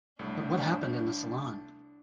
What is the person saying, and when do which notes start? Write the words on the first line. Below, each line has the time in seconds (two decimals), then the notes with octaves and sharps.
But what happened in the salon?
0.19 C2 A2 D4